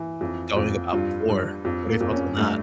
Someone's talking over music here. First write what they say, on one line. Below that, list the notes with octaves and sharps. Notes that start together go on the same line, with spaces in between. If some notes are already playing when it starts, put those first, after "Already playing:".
going about before. What are your thoughts on that?
Already playing: E3
F2
F2
G2 F4
G2
F2
A#3
F2
C#4
G2 A3